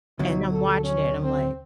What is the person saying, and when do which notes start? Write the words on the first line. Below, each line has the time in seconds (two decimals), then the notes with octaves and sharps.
And I'm watching it, and I'm like
0.19 D2 B2 F#3 D#4
0.51 A4
0.84 C#4
1.22 C4